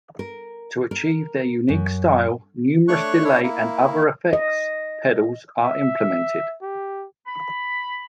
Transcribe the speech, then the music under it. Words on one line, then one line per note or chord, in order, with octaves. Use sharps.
To achieve their unique style, numerous delay and other effects pedals are implemented.
A#4
A#4
F#2
A3 D4 C#5 C#6 F#6
D4 E4 C#5
A#3 E4
D#5
E5
G4
B5